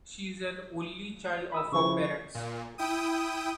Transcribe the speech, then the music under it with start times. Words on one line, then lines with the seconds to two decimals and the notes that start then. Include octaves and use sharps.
She is an only child of her parents.
1.52 B5 D#6 E6
1.72 C#3 F3 E4 C#6
2.35 A#2
2.78 E4 G5 D#6